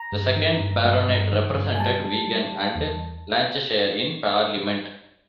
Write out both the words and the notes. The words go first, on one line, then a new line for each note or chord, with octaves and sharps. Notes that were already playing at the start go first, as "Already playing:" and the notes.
The second Baronet represented Wigan and Lancashire in Parliament.
Already playing: A#5
G2
D#3
G2
G2
G2
D#3
G2
G#5
G3 A5
G3
G3
G3
E2